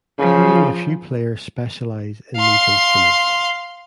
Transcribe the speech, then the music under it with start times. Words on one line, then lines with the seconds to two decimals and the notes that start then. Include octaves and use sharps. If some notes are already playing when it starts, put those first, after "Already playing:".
Only a few players specialize in these instruments.
0.19 C#3 F3
2.37 F5 C6